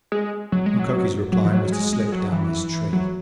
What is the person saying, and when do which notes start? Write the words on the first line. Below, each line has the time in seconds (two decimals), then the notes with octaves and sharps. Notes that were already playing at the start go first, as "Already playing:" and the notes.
Mukoki's reply was to slip down his tree.
0.12 G#3
0.52 F#3
0.66 G#3
0.79 F#3
1.32 F#3
1.45 E3
1.52 F#3
1.72 G#3
1.93 G#3
2.12 F#3
2.32 E3
2.93 F#3